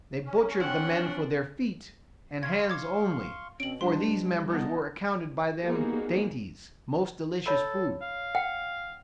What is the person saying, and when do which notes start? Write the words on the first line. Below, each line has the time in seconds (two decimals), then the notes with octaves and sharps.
They butcher'd the Men for their Feet and Hands only; for these Members were accounted by them Dainties, most delicious Food.
0.25 C#4
0.60 C4 D4 F#5
2.43 F5 C6 C#6 G#6
2.70 D6 G#6
3.60 B2 C4 C#4 D7 F#7
3.81 G3 D4 C6
4.50 B3 D#4 D#5 A5
5.62 G3 A#3 B3 D#4 F#4 G#4
7.46 A4 C#5 B5
8.02 F5
8.35 F#5 G5